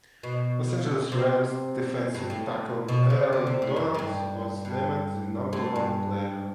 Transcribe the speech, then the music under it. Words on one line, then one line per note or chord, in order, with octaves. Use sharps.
Los Angeles Rams defensive tackle Aaron Donald was named the number one player.
B2
C3
G2
A2
B2
C3
D3
C3
A2
F#2
A2
G2
G2
A2
G2